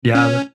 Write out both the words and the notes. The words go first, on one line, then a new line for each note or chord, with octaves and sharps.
Yeah, that
C#4